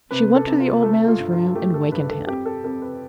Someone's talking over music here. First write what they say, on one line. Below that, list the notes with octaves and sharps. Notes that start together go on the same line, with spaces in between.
She went to the old man's room and wakened him.
C3 B4
A4
C3
F4
A3 A4
F4
G2
F4
A3 G4
A4
G2 B4
A4
F2 G4
A4
F2 A4
B4